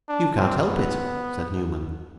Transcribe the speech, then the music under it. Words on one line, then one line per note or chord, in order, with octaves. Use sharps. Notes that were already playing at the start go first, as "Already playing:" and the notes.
'You can't help it,' said Newman.
D4
C4
B3